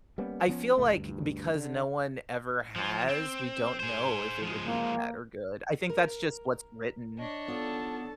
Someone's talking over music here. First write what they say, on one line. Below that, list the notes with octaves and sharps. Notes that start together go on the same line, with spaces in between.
I feel like, because no one ever has, we don't know if it would be bad or good. I think that's just what's written.
G3 A#3 B3 C#4
F3 B3 C#4
F1 C#2 A2 A3
D2 G2
D3
F3 F4
C4
G#4 C5
F3 G#3
A#3
A#4
D4 C#5 D#5
B3 F4 A4 D5 A5